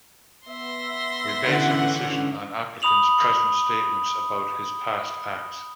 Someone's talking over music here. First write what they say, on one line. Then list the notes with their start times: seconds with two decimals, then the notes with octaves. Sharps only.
We base our decision on applicant's present statements about his past acts.
0.48 B3 E5 C6 A#6
1.45 D3 E3 C#4 F#5
2.82 B5 D#6 F7 F#7